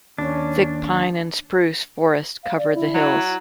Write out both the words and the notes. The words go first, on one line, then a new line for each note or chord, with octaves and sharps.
Thick pine and spruce forests cover the hills.
D#2 C#4 D4
F5
D5
E4
F#3